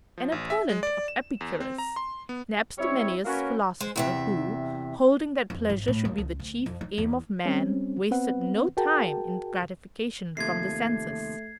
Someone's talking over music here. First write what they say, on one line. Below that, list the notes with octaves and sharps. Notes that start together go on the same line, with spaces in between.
An opponent of Epicurus, an abstemious philosopher who, holding that pleasure should be the chief aim of man, wasted no time in gratification from the senses.
F3
A1
E5
G#3
D5
E7
E2
C4
A#5
C6
B3
G3 C4 E4 C#5
A#3 C#4 F#4 A#4 B4 C#5
G#3 C5
E2 C3 E5
F2
G#1
A2
D#2
C#2
D2
F2
D#4
E2
G3 C4 C#4
B3 C4 B4 F#5
F#4 G#4 A#4 G5 A5
D#2 C3 F3 A3 G#6 C7